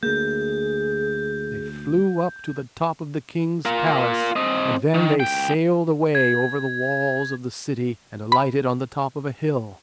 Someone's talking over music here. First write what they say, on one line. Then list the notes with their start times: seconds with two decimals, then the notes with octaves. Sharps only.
They flew up to the top of the king's palace, and then they sailed away over the walls of the city and alighted on the top of a hill.
0.03 D2 A#3 G#4 G6
3.65 F4 A#4
4.36 C4 D#5
4.94 D#3
5.20 C#2 G5
6.15 G#6
8.32 B5